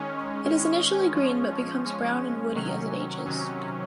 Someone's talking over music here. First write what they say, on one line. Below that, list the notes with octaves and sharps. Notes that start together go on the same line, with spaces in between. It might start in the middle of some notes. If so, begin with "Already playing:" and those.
It is initially green but becomes brown and woody as it ages.
Already playing: D#3 G#3 C#4
D#3 G#3 C#4
F3 G#3 C#4
F3 G#3 C#4
C3 D#3 F#3 C#4
C3 D#3 F#3 C#4